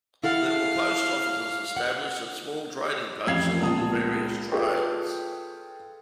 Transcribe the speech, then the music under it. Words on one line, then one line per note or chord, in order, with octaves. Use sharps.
There were post offices established at small trading posts along the various trails.
E4 A4 F5 F#5
F#5
A1 F2 F5 G#6 C7
C#2 A#2 B3 F4 A5 D#6
F4 G#4 A4 B4 G5